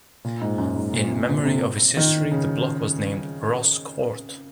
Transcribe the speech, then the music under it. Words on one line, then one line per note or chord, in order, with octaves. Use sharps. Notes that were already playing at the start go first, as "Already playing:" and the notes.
In memory of its history the block was named Ross Court.
A#2
G#2
F#2
G#2
A#2
C3
C3
D#3
C#3